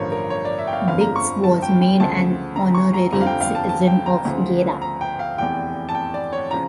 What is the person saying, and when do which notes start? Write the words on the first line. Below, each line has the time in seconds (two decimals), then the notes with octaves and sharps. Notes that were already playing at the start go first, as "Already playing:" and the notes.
Dix was made an honorary citizen of Gera.
Already playing: A1 G2 D3 F3 A#4 C#5
0.12 A#4
0.30 C#5
0.45 D5
0.59 E5
0.67 G5
0.73 F5
0.87 G1 F2 D3 F3 F5
1.01 A#5
1.16 C#6
1.44 A5
1.62 G5
1.82 G5
2.00 D2 C#3 F3 A5
2.56 A#5
2.75 C#6
2.94 A#5
3.12 F1 F2 D3 F3 A#5
3.21 F5
3.26 G5
3.41 F5
3.55 A5
3.69 A5
3.87 G5
4.06 A#5
4.25 D2 C#3 F3
4.82 A#5
5.01 G5
5.19 F5
5.38 F1 E2 E3 G5
5.89 A5
5.95 G5
6.14 D5
6.33 C#5
6.51 C#3 F3 A#5